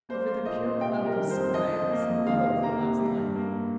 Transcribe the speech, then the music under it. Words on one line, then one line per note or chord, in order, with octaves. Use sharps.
Over the pure cloudless sky was the glow of the last light.
A#3 C5
A#3
A#2 D#5
A#2
C3 G5
G3
A#4
D#3
C5
F2
F3 D#5
F2
A#3
F2
D#3 F5
C3
A#3 A#5
C3
G3
G2
A#3